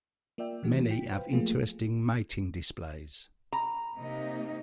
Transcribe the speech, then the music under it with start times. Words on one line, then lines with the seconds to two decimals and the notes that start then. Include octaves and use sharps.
Many have interesting mating displays.
0.38 A#3 F4 D5 E5 G5
0.63 A#2 E3 A3 F#4 G4
0.90 F4 G5 B6
1.12 B4 C5 F5 G5
1.32 F3 F#3 A3 A#3 F4 G#4
3.53 A#5
3.96 C3 A#3 D#4